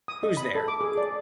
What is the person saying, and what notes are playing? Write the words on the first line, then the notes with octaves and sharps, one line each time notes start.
Who’s there?
D#6
D#5
B5
A4
D6
G#4
D5